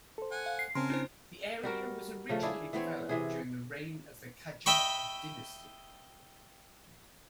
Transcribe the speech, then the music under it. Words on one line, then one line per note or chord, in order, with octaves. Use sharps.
The area was originally developed during the reign of the Qajar Dynasty.
A4 C5
F#5 G#5
F5
C7
C#3 C4 C#4 A#4 G#5 A5 C6
D4 E4 C5
G3 F#4 A#4
C#3 F3 A3
D4 E4 G#4
E3 B3 C4 C#5
C3 E3 G#4
D#5 E5 G5 B5 C#6